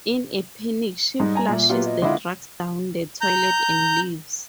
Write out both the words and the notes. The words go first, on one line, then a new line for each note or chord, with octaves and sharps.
In a panic, she flushes the drugs down the toilet and leaves.
G#2 G3 G#3
G#5 A#5
A#2 E5
F#3 B3 F4 G4
D#5
D3 G#3 E4 F4 D6
A#5 G6